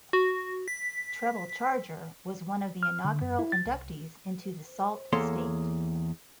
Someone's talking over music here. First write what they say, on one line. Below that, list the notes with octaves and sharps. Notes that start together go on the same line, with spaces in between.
Treble Charger was one of the inaugural inductees into the Sault Ste.
F#4
B6
F6
D3
F#2
E4
A6
C2
E2 A#3 A4 C#5 C6